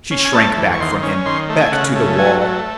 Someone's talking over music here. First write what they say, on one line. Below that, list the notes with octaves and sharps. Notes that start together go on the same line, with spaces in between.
She shrank back from him, back to the wall.
C#4
G#5
A3 A5
E2
C#6
D#3 C6
C#4
D#3 C6
A3
G#5
C#3 F#5
A3
F#3 G#5
A3